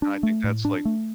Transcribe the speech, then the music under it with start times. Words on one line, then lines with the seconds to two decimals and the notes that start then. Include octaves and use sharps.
And, I think that's like
0.02 D4
0.23 A3
0.44 A2
0.65 D4
0.85 A3